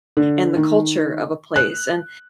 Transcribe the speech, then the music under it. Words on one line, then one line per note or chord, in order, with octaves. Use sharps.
and the culture of a place." And,
D3
D#3
F#6